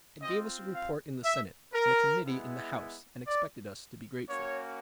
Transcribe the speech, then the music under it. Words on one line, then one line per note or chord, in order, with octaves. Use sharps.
It gave us a report in the Senate and a committee in the House and expected us to be grateful.
C4 F4 D#5
F5
E5
A#4
G#3 B3 E4
D5
A#3 C#4 F#4 C#5